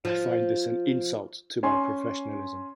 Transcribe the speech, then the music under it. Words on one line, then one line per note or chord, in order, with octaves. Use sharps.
I find this an insult to my professionalism.
F3
C#4 G#5 C6